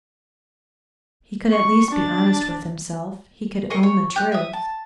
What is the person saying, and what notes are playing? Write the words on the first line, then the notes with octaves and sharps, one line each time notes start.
He could at least be honest with himself, he could own the truth.
C#6
D4 A6
G#4 A#4 D#5 C#6
C#5
G4 F#6
E5 D#6
A5